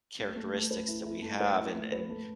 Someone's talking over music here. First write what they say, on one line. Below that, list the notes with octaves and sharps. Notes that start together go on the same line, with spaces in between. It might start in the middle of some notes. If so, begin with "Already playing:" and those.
characteristics that we have, and and
A3
A3
A3
B4
E4
E4
A3
B4
E4
A3
B4
A3